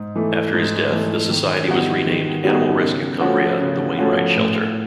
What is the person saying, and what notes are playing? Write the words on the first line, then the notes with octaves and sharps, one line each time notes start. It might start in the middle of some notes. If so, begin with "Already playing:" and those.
After his death the society was renamed "Animal Rescue Cumbria - The Wainwright Shelter".
Already playing: G#2
E3 A3
G#2
E3 A3
D#3
G3 B3 D#4 F#4
D#3
G3 B3 D#4 F#4
C#3
F3 A3 C#4 F#4
C#3
F3 A3 C#4 F#4
A2